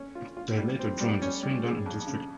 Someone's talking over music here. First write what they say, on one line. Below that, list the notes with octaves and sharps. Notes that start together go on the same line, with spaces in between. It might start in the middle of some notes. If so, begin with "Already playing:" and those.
They later joined the Swindon and District League.
Already playing: C#4
F4
F4
G3
C4
G3
C#4
G3
G#4
F2
C#3